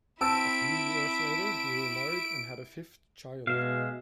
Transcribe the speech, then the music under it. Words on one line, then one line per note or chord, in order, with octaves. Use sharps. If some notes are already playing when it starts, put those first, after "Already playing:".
A few years later he remarried and had a fifth child.
C4 E4 E5 A5 E6 D7
B2 G#3 E5 F5